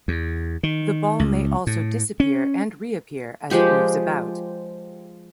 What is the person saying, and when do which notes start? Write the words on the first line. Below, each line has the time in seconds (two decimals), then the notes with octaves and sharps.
The ball may also disappear and re-appear as it moves about.
0.08 E2
0.63 D#3
1.20 C#2
1.67 A2
2.20 C#4
3.50 F3 G#3 G4 B5